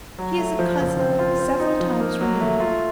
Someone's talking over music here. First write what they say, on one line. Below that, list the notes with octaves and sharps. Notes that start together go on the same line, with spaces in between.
He is a cousin, several times removed.
F#3
A3
F3
F#1
C4
F4
C4
D#4
F3
A#3
F#3
A3
F4